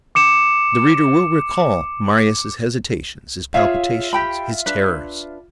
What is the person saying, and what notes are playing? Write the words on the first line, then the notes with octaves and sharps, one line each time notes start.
The reader will recall Marius' hesitations, his palpitations, his terrors.
D6 C#7 E7
F4 G#4 C#5 E5 F5
G4 G5 B5
D4 B4